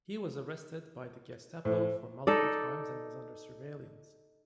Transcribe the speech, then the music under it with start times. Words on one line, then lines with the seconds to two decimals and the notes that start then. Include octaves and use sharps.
He was arrested by the Gestapo for multiple times and was under surveillance.
1.65 A2 C5
2.27 D#4 A4 D5